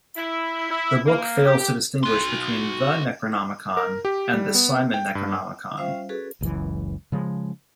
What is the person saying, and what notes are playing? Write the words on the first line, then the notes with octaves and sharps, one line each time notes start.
The book fails to distinguish between the "Necronomicon" and the "Simon Necronomicon".
E4
E4
A#3
G4
F#4 C6
A#4
G4
G3
B3
G5
G2
G3 C#4 F4 C5 E5 F5
C#4 F#4 G#4 A4 B4
F#1 C#2 F#2 E3
C#3 F3 G#3